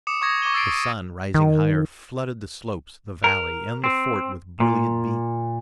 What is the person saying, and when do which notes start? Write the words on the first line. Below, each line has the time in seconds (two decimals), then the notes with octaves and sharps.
The sun, rising higher, flooded the slopes, the valley, and the fort with brilliant beams.
0.07 D6 D#6 C#7 E7
0.22 C#6 D#6 G#6 A#6
0.42 C#6 D6 G#6 D#7 G7
0.54 E6 A6 C7 D7
0.74 D#7
1.34 D#3
3.24 A#4
3.84 C4
4.60 A#2